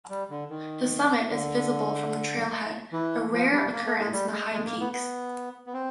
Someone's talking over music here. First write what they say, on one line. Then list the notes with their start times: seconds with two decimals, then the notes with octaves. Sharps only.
The summit is visible from the trailhead, a rare occurrence in the High Peaks.
0.09 G3
0.30 D3
0.50 D#3
1.31 D3
2.92 E3
3.32 F3
3.52 G3
3.72 A#3
3.86 A3
3.99 G#3
4.12 G3
4.32 G#3
4.52 G#3
4.66 A#3
4.80 B3
4.93 B3
5.66 B3
5.73 C4